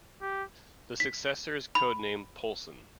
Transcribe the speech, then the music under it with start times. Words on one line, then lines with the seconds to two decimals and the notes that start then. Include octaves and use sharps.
The successor is code-named "Poulson".
0.21 G4
1.00 B6
1.75 B5